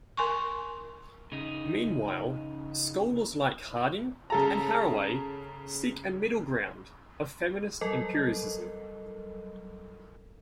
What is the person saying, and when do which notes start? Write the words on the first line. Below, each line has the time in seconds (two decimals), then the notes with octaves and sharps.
Meanwhile, scholars like Harding and Haraway seek a middle ground of feminist empiricism.
0.17 A#4 G#5 C6 C#6
1.32 C#3 D#4
4.30 C#3 A4 A#5
7.81 F#3 G3 A4 A#4 D#5